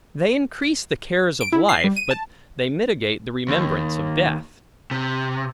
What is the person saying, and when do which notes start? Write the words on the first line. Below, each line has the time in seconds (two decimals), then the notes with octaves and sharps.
They increase the cares of life; but they mitigate the remembrance of death.
1.41 D7
1.52 E4
1.69 C7
1.84 G3
1.96 D#7
2.11 A5
3.48 D#2
4.91 C3